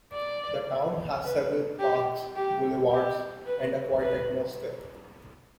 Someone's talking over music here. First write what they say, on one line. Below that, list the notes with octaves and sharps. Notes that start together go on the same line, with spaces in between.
The town has several parks, boulevards and a quiet atmosphere.
D5
B4
G4
G4
G4
B4
B4